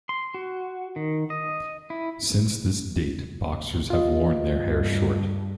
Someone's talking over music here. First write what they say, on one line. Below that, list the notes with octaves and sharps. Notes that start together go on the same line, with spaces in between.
Since this date boxers have worn their hair short.
C6
F#4
D#3
D#5
E4
B1
F4 D#5
G2